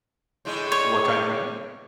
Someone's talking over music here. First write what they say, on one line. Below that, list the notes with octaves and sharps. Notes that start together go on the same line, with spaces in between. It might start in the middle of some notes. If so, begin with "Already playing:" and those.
what kind of writer?
A2 D3 G#3
C#5